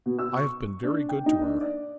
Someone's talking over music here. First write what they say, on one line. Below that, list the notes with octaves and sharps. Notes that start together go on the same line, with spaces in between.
I have been very good to her.
B2
E6
C#6
D4
G5
D#4
D4
D5